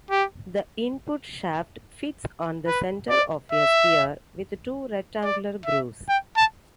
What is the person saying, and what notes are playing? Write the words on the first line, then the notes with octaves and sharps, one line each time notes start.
The input shaft fits on the centre of a sphere with two rectangular grooves.
G4
B4
D5
E5
D5
E5
G5
A5